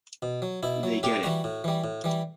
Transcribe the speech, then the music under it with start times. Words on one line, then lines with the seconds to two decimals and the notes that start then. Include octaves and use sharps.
They get it.
0.22 B2
0.42 F#3
0.63 B2 E4
0.83 F#3
1.03 A2 G4
1.23 E3 G3 F#4
1.44 A2
1.64 E3 G3
1.84 A2
2.04 E3 G3